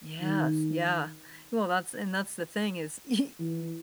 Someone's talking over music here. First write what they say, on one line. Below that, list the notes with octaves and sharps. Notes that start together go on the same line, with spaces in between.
Yes, yeah, well, that's and that's the thing is y
D#3
E3